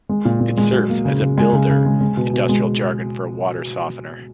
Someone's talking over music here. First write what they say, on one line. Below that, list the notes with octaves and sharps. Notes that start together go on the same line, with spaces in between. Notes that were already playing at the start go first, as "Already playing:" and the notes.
It serves as a "builder," industrial jargon for a water softener.
G#3
A#2
A#2
G#3
F#3
A#3
C#3
C#3
G#3 G#5
C#3
C#3
G#3
G#3
B2
B2
G#3